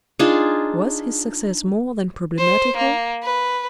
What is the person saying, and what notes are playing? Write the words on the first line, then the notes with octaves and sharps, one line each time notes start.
Was his success more than problematical?
D4 D#4 F4 G#4
C5
A#3
B4